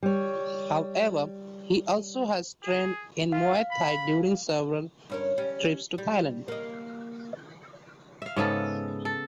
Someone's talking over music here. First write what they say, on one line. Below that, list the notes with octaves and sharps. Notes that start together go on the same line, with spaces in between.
However, he also has trained in Muay Thai during several trips to Thailand.
G3 C#5
G#4
F4 F5
B5
G2 C#4 A#4
G3 C#4
G3
A#3 D#5
E5 F5
G#2 C#3 B3 A4
A4